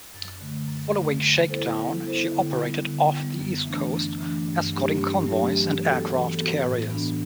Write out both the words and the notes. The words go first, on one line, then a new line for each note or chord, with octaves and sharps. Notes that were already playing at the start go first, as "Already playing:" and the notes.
Following shakedown, she operated off the east coast escorting convoys and aircraft carriers.
F#2
D3 A3
F#2
D3 A3
G3
B3 E4 A4 C5
G3
B3 E4 A4 C5
D3
G3 B3
D3
G3 B3
F#2
E3 A3 D4
F#2
E3 A3 D4
G2
F#3 A3 D4 G4
G2
F#3 A3 D4 G4
E3
B3 F#4 A4
E3
B3 F#4 A4
A2
E3 B3 D4